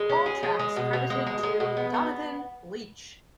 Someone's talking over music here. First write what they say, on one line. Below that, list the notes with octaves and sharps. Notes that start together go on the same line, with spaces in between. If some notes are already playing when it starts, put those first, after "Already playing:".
All tracks credited to Donovan Leitch.
Already playing: G#3
C#4
G#4
G#3
G#3
B2
B2
G#3
G#3
G#3
B2
B3
B3